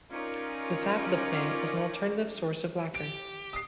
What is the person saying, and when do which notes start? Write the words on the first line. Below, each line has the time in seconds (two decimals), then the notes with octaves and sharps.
The sap of the plant is an alternative source of lacquer.
0.11 C#4 D#4 F4 A#4 D5
2.95 G4 D7
3.53 D#6 C7